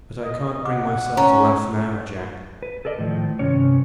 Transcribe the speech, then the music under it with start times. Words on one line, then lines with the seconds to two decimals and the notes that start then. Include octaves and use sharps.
But I can't bring myself to laugh now, Jack.
0.23 D#5
0.65 F#5 D6
1.17 C#4 A#5
2.63 B4
2.85 A4 A#4 D5 D#5
2.99 A2 D#3 F3
3.39 G2 C3 C#4 C#5